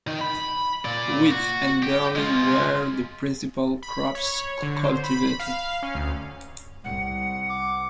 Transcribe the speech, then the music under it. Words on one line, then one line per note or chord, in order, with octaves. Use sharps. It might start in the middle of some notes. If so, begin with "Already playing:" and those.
Wheat and barley were the principal crops cultivated.
D#3 D#4
B5
A#2 D5
F#4
G4
G#3 F4
B5
C#5
D3
C5
B5
F5
C#4
D2
C2 F#5
D6